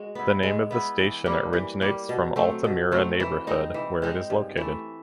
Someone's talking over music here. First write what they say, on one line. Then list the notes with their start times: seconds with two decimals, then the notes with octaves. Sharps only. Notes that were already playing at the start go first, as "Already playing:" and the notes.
The name of the station originates from Altamira neighbourhood where it is located.
Already playing: G#3 F#4
0.15 B3 E4
0.43 G#3
0.71 B3 E4
0.98 E3
1.26 G3 A#3
1.53 E3
1.81 G3 A#3
2.09 B2
2.36 F#3 A3 C4
2.64 B2
2.92 F#3 A3 C4
3.20 E3
3.47 G#3 C4 D#4
3.74 E3
4.02 G#3 C4 D#4
4.30 G2
4.57 E3 A3